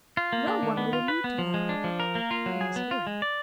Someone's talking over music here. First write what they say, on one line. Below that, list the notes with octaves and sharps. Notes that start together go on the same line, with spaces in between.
No one would allude to her . . . in his hearing.
F4
A#3
D4
D#3
B3
F4
B4
B3
F3
G#3
D4
F3
A#4
A#3
F4
F#3
G#4
B3
F4
G#3
D5